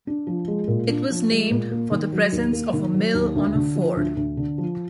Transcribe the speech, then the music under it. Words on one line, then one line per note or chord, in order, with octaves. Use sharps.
It was named for the presence of a mill on a ford.
D4
F3
G#3
A#2
D4
F3
G#3
A#2
A#3
D#3
F#3
D#2
A#3
D#3
F#3
D#2
D2
D3
F3
D2
D2
D3
F3